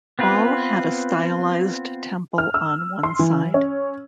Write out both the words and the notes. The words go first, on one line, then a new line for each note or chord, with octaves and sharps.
All had a stylised temple on one side.
B3 C4 F4 B4
F6
E6
C6
E3
C#4